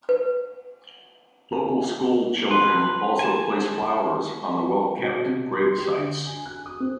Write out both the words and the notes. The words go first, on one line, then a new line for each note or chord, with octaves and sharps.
Local school children also place flowers on the well-kept grave sites.
B4
B4 C6
G#5 A5
B4
B2
C3
C6
G4
D3
G#5
F#6
D#6
C4